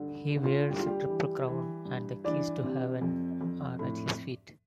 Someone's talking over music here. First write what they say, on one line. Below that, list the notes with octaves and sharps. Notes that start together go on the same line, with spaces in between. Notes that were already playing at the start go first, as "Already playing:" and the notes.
He wears a triple crown, and the keys to Heaven are at his feet.
Already playing: G2 D3
D3
F4
G2 G4
F4
G3 G4
E3
E3
G2
E3 D4 D5
C3
F2
F2
A2